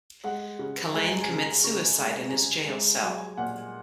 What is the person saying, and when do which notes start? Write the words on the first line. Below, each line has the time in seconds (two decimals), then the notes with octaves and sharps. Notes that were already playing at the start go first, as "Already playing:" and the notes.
Kalain commits suicide in his jail cell.
0.24 G#3 F#5
0.59 C#3
0.94 G#3 G#5
1.02 A#5
1.08 G#5
1.16 A#5
1.22 G#5
1.28 C#3 A#5
1.37 G#5
1.44 A#5
1.51 G#5
1.64 C#3 C#6
1.98 G#3
2.29 G#5
2.33 C#3 A#5
2.67 G#3
3.02 F#3 G#5
3.37 A#2 F#5